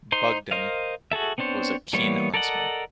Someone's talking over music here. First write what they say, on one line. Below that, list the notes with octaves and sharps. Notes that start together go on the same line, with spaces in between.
Budgen was a keen huntsman.
D#4 C5 C6
A#4 C5 D#5 F5
F#4 G#4 A4 E5
B3 C4 D4 C5 C#5
E3 G3 A#3 B3 C#5
A4 A#4 D5 D#5 F#5